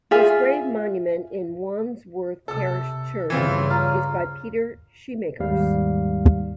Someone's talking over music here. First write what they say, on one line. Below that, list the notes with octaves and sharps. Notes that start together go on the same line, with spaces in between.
His grave monument in Wandsworth Parish Church is by Peter Scheemakers.
F4 G#4 E5 G#5
C3 A4 E6
G2 C#3 E3 C4 F4
F4 C#5 A#5 F6
D#2 G#2 G3 F5